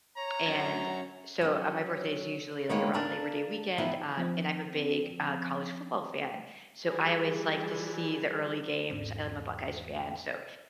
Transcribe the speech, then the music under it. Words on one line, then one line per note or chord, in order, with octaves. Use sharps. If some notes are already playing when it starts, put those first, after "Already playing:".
And so uh, my birthday is usually, like, around Labor Day weekend, um, and I'm a big, uh, college football fan, so, I always like to see the early games, I'm a Buckeyes fan, so,
C#5 A#5
F#2
F#3 C#4
D#3 G#3 A#3 B3 C#5
D4 A#4 F5
D#3 E3 B3
F3 C4
E3 F3 G3 E4 G#4
G#1 E2